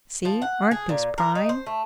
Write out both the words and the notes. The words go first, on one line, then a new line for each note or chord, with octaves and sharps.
"See--aren't these prime!"
F3
F#5
G#4
A#2
A#4
D#4
C5
A3